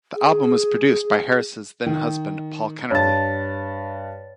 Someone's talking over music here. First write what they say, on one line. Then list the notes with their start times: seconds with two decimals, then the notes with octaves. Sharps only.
The album was produced by Harris' then-husband, Paul Kennerley.
0.16 G#4
1.86 D#3
2.91 G2 C#5 A5 A6